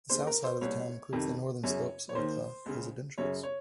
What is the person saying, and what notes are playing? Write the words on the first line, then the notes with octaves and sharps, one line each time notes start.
The south side of the town includes the northern slopes of the Presidentials.
D#2 C#3 C5
A#4
C5
C2 A#2 C#5
F2 C3 D#3
F#2 C#3 C#5
C#5
D#2 D#3 C5
C#2 C#3
F#2 C#3 C#5
C#5